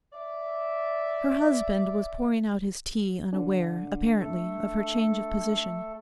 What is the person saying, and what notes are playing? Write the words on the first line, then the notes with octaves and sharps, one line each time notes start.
Her husband was pouring out his tea, unaware, apparently, of her change of position.
D5 E5
D3 D4
A3 A4